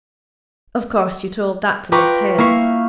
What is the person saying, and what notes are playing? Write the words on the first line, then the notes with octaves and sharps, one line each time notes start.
'Of course you told that to Miss Hale?'
F4 B4 G5 A#5 C#6 D6
A#3 E4 F5 C#6 C7 C#7